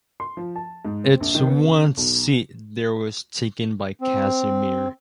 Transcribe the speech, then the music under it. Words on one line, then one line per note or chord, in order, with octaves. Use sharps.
Its one seat there was taken by Cazimir.
C6
F3
A5
G#2
C4
A#1
D#3
B3
C#3
B1
C4